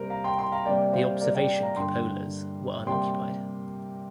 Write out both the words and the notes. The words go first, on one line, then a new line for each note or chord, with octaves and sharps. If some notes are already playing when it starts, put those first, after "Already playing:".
The observation cupolas were unoccupied.
Already playing: C3 G3 A#3 A#4 C5
F5 A#5
G5 C6
G5 C6
F5 A#5
C3 G3 A#3 D5 G5
C5 F5
A#4 D5
D5 G5
F5 A#5
G2 D3 A#3 G5 C6
C3 G3 A#3 G5 C6